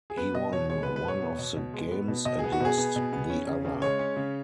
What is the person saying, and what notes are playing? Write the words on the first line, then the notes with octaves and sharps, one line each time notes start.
He won one of the games and lost the other.
G#4
B3 B4
B2 D#5
B2 C#5
G#3 C#5
B3 B4
B4
B2 C#5
B3
B2
B2
G#3
B3
B2
B2 D#5
G#4
B3
F#4
B2 G#4
B3
B2
B3
C#4
C#3
C#3
G#3 C#5
C#4
C#3